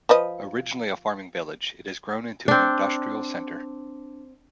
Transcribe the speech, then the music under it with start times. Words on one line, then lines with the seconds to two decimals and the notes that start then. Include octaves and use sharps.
Originally a farming village, it has grown into an industrial center.
0.09 F3 B4 D#5
2.48 C4 D4